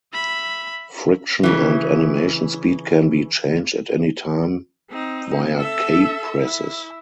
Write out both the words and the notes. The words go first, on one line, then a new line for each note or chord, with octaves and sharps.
Friction and animation speed can be changed at any time via key presses.
E5 B5
C#3 E3
C4 D#4
A4 E5
E4